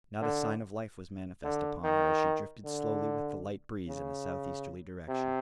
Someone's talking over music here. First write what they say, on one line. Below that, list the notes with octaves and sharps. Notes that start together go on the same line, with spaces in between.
Not a sign of life was manifest upon her as she drifted slowly with the light breeze in a southeasterly direction.
D3
D3
D#3
D3
C#3
C3